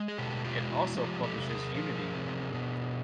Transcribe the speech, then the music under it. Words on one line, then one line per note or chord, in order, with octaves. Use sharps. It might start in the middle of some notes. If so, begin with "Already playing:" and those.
It also publishes Unity!
Already playing: G#3
G#4
B2 G4 A4
F4 G4
G#3
E4 F#4
F3 F4 G4
G4 A4
C3
G#4 A#4
F3 G#4 A#4
C3
B2